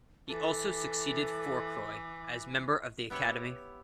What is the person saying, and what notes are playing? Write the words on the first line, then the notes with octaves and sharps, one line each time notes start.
He also succeeded Fourcroy as member of the Academy.
E3 A4 D6
B3 E4 G4 C#5